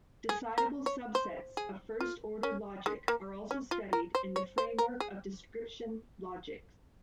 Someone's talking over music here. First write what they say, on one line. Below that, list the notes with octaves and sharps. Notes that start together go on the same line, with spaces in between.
Decidable subsets of first-order logic are also studied in the framework of description logics.
G#4
A#4
C#5
C5
G#4
F4
C#4
G#3
A#3
C#4
F4
A#4
C5
C#5
C5
A#4
G#4